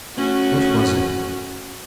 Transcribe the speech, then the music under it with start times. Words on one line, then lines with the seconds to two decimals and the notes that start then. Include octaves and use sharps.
What was it?...
0.15 A3 C#4 F#4